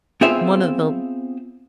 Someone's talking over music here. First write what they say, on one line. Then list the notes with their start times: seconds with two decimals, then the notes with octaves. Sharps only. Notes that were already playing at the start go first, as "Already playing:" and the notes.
one of the l
0.21 B3 C4 F4 G#4 C5 E5